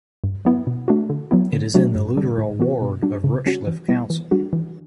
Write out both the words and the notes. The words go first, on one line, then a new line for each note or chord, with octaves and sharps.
It is in the Lutterell ward of Rushchliffe Council.
G2
F#3 B3 E4
B2
A3 D4 F#4
D3
F#3 B3 E4
D3
F#3 A3 D4 F#4
G2
D3 G3 D4
A2
E3 B3 F#4
B2
G3 D4 F#4
C#3
G3 C#4 F#4
E3
G3 B3 E4
E3
G3 D4 F#4
E3